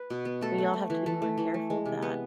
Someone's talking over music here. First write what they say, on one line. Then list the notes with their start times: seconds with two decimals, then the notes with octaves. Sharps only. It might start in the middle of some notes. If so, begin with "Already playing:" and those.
We all have to be more careful of that.
Already playing: B4
0.10 B2
0.25 B3
0.41 A3 A4
0.58 A3
0.74 A3
0.90 E3
1.06 E3 A4
1.22 A3
1.38 E3
1.54 A3
1.70 G#3
1.86 C3
2.02 B3